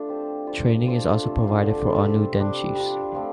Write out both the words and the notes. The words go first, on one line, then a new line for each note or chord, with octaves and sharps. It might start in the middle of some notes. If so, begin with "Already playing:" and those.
Training is also provided for all new den chiefs.
Already playing: A3 D4 F4
F3 C4 G4 C5
G3 F4 C5
F3 D4 A4 C5
C3 F3 A3
D3 F3 D4
C3 G3 C4
C3 G3 D4
G3 D4 F4
F3 A3 C4 F4